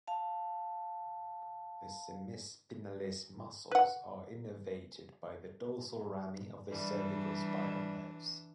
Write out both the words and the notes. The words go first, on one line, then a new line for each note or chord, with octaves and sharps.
The semispinalis muscles are innervated by the dorsal rami of the cervical spinal nerves.
F5 A5
B4 F#5
E3 G3 D4